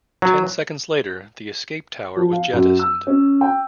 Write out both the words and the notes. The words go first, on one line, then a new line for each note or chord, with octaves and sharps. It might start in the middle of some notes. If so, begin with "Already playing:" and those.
Ten seconds later, the escape tower was jettisoned.
F#3
F3
F5
F#2
E6
C#4
G5